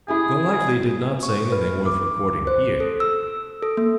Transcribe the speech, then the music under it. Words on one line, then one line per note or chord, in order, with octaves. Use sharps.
Golightly did not say anything worth recording here.
E4 G4 G#4 G#5
C#6
B4
D6
C5
A4
E6
A4
A#3